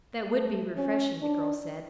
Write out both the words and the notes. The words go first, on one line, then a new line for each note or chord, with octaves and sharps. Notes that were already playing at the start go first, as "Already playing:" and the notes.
"That would be refreshing," the girl said.
A3
C#4
D4